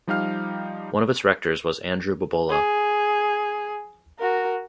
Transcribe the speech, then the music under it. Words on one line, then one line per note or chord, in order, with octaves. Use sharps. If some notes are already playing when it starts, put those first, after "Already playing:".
One of its rectors was Andrew Bobola.
F3 G3 D#4 G4 F5 F6
G#4
F#4 A#4